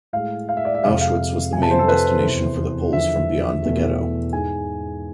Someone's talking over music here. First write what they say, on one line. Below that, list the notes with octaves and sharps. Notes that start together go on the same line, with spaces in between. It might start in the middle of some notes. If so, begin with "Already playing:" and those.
Auschwitz was the main destination for the Poles from beyond the ghetto.
A2 G#3 F5
F5
E5
D5
E5
F2 C3 G#3 F5
F5
F2 C3 F3 G#5
A5
C5
A4
B4
C5
E2 C3 E3
E2 D3 F3 E5
E2 B2 A3
G#2 G#3 G#5